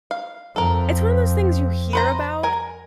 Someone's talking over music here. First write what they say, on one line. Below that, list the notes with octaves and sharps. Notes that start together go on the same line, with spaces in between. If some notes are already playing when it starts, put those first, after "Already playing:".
it's one of those things you hear about,
F5
F2 A4 A#4
B4 C5 A#5
A#4 G#5